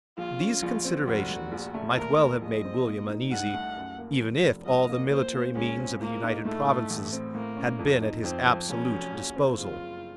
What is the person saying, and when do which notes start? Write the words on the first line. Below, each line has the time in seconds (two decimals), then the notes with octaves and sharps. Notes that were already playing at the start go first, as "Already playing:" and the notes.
These considerations might well have made William uneasy; even if all the military means of the United Provinces had been at his absolute disposal.
0.18 A#1 F4
0.40 C#4
0.62 A#1
0.85 C4
1.07 F1 F#4
1.30 F1
1.52 A#1
1.74 A3
1.97 D#2 A#4
2.19 D#2
2.42 A#1 D#5
2.64 C4
2.87 A#2
3.09 D#4
3.31 C2 F#5
3.54 A3
3.76 F#2
3.98 A#3
4.21 F1
4.44 F1
4.66 C2 D#5
4.88 A#3
5.10 A#2 C5
5.33 A#2
5.55 C#2 C#4
5.78 C4
6.00 A#2 A#3
6.23 D#4
6.45 A2 A3
6.67 A2
6.90 A1
7.13 C4
7.35 A2 A#3
7.57 C#4
7.79 F2
8.02 D#4
8.24 F2 C4
8.46 F2
8.69 F1 C#4
8.91 F#3
9.14 A#1
9.36 C4
9.58 F#1 F4
9.81 F#1